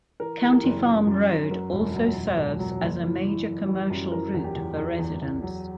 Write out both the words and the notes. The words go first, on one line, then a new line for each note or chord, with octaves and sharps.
County Farm Road also serves as a major commercial route for residents.
E3 A#4
E3 G4
A#4
F#1
F#2
F#2
F#2
F#3 A#4
E1
F#3
E1
E1
F#3
F#1
E3
E3
E3
G3
F#2
E3 A#4
E2
G4
E2
E2
E2
E2
F#3